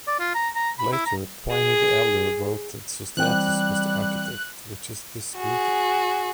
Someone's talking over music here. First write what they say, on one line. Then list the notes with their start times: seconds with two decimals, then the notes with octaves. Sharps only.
Later Pliny the Elder wrote that Sostratus was the architect, which is disputed.
0.08 D5
0.20 F4
0.35 A#5
0.55 A#5
0.79 B5
0.93 E4
1.06 A#5
1.51 G#4
3.17 E3 G3 C4 G5 F#6
5.37 F#4 G#4